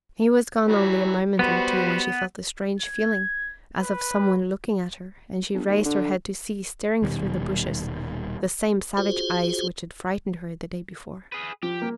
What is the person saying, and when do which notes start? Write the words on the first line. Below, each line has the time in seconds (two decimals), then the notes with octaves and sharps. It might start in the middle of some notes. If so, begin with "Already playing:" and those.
He was gone only a moment or two when she felt a strange feeling as of some one looking at her, and she raised her head to see, staring through the bushes, the same savage eyes which had frightened her the day before.
0.67 E3 F#3 G3
1.39 G3 B3 F#4 C5
2.79 G#6
3.78 B4
5.54 G1
5.69 D#2
5.85 D3
7.02 D#1 B2 D#3 G3
8.97 F4 F#4 G#4 C5
11.32 G#4 B4
11.63 F3 G4
11.82 A#3